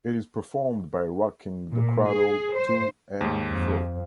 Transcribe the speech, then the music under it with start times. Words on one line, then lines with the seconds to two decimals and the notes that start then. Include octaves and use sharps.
It is performed by rocking the cradle to and fro.
1.72 A#2
2.07 G#4
2.53 C5
3.21 D#2 G#2
3.51 F2